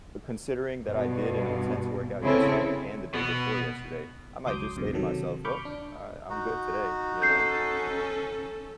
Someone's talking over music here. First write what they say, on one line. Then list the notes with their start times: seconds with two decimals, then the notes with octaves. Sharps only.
But considering that I did an intense workout yesterday and the day before yesterday, I might just say to myself, "Well, I I'm good today, you know,
0.84 G2 B2
2.22 C#3 C4 E4 A4
3.14 B2 B3
4.46 C#2 F#3 C6 D6 D#6 G6
4.76 C#2 F#2 B2 D3
4.93 C3 D#3 F#3 A4
5.45 B5 C#6 D6 F6 G6
5.65 D4
6.30 D#4 F#4
7.22 C#4 A4 G6 C7